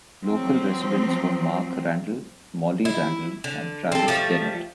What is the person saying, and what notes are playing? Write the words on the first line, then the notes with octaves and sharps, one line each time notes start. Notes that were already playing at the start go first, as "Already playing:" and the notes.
Local Residents were Mark Randall, Molly Randall, and Travis Dennett.
F3 F#3 C4
E4
D3
C4 A4
F3 G3 A3